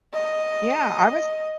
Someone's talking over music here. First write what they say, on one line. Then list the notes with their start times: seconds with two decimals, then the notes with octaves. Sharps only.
Yeah, I was
0.14 D#5